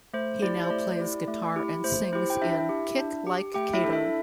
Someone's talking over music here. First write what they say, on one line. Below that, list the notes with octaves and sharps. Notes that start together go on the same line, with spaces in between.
He now plays guitar and sings in Kick Like Kato.
A3 C5
E4 G4 D5
C5
A3 D5
E4 G4
A3
E4 G4
A3 C5
E4 G4 C5
G5
D4 E4 E5
G4
D4
G4
A3 G4 G5
E4 E5
D4 A4
E4 E5